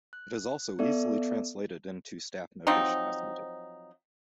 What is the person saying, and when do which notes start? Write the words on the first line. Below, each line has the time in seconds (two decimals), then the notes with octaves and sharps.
It is also easily translated into staff notation, as needed.
0.13 F#6
0.79 B3 A4 D5 E5
2.67 F3 F#3 C4 D#4